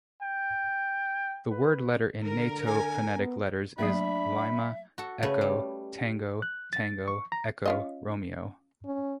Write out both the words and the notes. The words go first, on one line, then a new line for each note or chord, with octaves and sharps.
The word letter in Nato phonetic letters is Lima, Echo, Tango, Tango, Echo, Romeo.
G5
B4
D3 A#4
G#5
B3
F#3 A3 A#3 D4 E5 B5
F#4 A4
C#3 A3 B4
G3
F#6
A6
C#6
A#5
C#4 F4 D#5
C#4